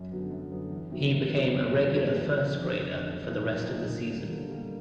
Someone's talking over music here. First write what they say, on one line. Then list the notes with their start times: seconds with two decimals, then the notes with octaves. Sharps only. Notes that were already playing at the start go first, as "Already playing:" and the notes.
He became a regular first-grader for the rest of the season.
Already playing: F#2
0.11 D3 F#3 B3
0.31 F#2
0.51 D3 F#3 B3
0.71 E2
0.91 C3 D#3 F#3
1.11 E2
1.31 C3 D#3 F#3
1.51 F#1
1.71 E2 B2 G3 A#3
1.91 F#1
2.10 E2 B2 G3 A#3
2.31 F1
2.50 F2 D3
2.70 F1
2.90 F2 D3
3.10 B1
3.30 A#2 F3 A#3 D#4
3.50 B1
3.69 A#2 F3 A#3 D#4
3.89 D3
4.10 G3 A#3
4.29 D3
4.49 G3 A#3